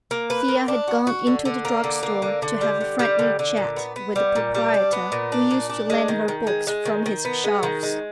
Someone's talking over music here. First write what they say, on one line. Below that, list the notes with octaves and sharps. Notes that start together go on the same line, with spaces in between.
Thea had gone into the drug store to have a friendly chat with the proprietor, who used to lend her books from his shelves.
A#3
B4
A#3
D4
F#4
F#4
D3
D3
A#3
D3
A#3
D3
D3
G3
D3
G3
D3
D3
A#2
B3
B3
G3
A#2
G3
D4
B3
A#2
D4
A#2
D4
G#3
D#3
D#3
G#3
G#3
D#3
D#3
B3
G#3
D#3
G#3